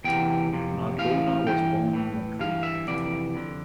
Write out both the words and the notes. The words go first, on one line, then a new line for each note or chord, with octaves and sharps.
Narbona was born in Madrid.
E2 C3 E3 G5
F2 C3
A2 E3 F5
G2 E3 G5
A2 E3
G2 E3 F5
E5
F2 C3 E3 D5
F2 D3